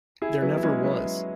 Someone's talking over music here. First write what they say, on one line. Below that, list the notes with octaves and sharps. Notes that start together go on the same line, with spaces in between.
There never was...
E4 G#4
F#3 B3
E4
G#3 C#4
F#3 B3